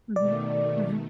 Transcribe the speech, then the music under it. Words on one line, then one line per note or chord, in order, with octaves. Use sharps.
Mhm, mhm.
B2 D#3 A3 D5